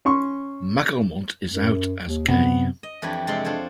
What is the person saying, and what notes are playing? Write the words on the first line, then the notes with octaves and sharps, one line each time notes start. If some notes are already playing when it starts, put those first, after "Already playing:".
McAlmont is out as gay.
C#4 C6 C#6
F#2
D#2
F#2 C3 B3
D#5
F2 E3 D4 G4 C#5
C3 G#3 A4 D5 C6
D4 F4 C5 C#5